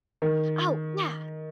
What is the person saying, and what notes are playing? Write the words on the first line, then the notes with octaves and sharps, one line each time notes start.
Oh, yeah!
D#3